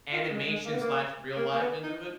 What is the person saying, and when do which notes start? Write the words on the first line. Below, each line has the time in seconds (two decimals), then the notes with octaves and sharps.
"Animation slash real life into it."
0.13 F4
0.30 G#3
0.47 G#3
0.65 A#3
0.73 B3
0.81 A#3
1.36 A#3
1.51 A#3
1.60 B3
1.83 D#4